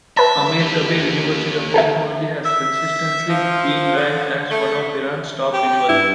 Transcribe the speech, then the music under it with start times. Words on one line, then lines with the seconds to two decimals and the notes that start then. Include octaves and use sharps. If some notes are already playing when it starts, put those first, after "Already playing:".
Amirkabir University of Technology has consistently been ranked as one of Iran's top universities.
0.17 B4 E5 A5
0.59 D#3 G4
1.74 A4 A#4 E5
2.45 E5
3.30 F3
3.95 D3
4.50 A3
5.53 G4
5.89 G2 E4